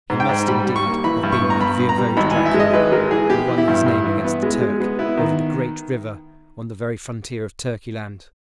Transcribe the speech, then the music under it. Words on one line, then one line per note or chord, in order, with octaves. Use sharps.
He must, indeed, have been that Voivode Dracula who won his name against the Turk, over the great river on the very frontier of Turkey-land.
G#2
G5
G#2
G3 B5
G3
C#6
A#3
E3 B5
G2
C#6
B3
A#5
G2 B5
B3
A#5
G3
G#1 B5
E3 G#5
E5
G#3
D#5
G#1 B4
G#3 A#4
E3 G#4
B3 G4
E3
E4
G2
G2
E3
B3
G#3
G#3
B3
B3 E4
D#3